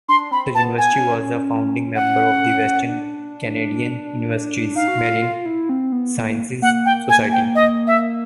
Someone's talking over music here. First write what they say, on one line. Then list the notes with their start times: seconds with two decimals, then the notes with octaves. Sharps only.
The university was a founding member of the Western Canadian Universities Marine Sciences Society.
0.09 D4 C6
0.31 C4 B5
0.55 B3 A5
0.78 B3 G#5
0.93 D4
1.02 C#4
1.95 F#5
2.89 D4
4.75 D#4 F5
4.88 F#4
4.98 F4
5.22 F4
5.46 E4
5.69 C4
5.92 B3
6.16 A#3
6.62 A#3 F#5
6.85 G5
7.09 G#5
7.32 G5
7.55 D#5
7.87 E5